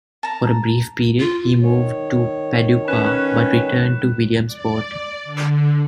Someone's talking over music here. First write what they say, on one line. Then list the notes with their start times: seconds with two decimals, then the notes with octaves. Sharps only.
For a brief period, he moved to Paducah, but returned to Williamsport.
0.23 A5 A#5
1.19 F4
1.62 D#3 C#5
2.88 C#4 B4 F#6 B6 E7
4.47 D5
5.25 D3